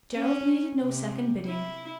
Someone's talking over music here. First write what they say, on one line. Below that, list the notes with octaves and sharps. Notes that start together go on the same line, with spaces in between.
Gerald needed no second bidding.
C#4
C3
E4